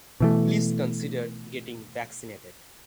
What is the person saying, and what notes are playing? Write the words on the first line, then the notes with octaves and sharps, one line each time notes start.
Please consider getting vaccinated.
B2 E3 A3